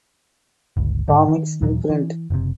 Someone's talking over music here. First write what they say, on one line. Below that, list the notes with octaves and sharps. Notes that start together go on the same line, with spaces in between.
Comics imprint.
G1 C#2
G#2 D3 D#3
D#3
D#2 A#2 E3 F#3
E3
F#1 C3